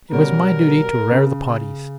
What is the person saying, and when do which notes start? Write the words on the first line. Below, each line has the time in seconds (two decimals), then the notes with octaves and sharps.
It was my duty to "rare the poddies".
0.12 B2 G3 C#4 A#4
1.11 C#3